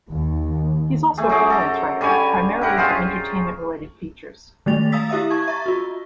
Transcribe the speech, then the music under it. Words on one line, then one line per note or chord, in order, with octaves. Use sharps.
He is also a freelance writer, primarily for entertainment-related features.
D#2
A3 G#4
F#2 G#4 A#5 D6
A4 A#5
D3 G3 C#5 G#5
E4 G4 A#4 F#5
C#4 F4 G#4 C5
D#3 G#3 A3 A6 F7
F5 A#5 D#6 E6 A6 B6
E4 G4 E5 F5 D#6
A5 C#6 G#6
E5 A#5 C#6 A6
F4 F#4